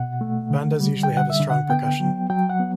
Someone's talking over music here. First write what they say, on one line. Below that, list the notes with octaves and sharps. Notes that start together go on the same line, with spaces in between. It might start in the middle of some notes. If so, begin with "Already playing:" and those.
Bandas usually have a strong percussion.
Already playing: B2 F#5
A3
D3
G3
G5
D3
F#5
E5
D3
F#5
B3 G5
F#3
F#3 G5
F#5
B3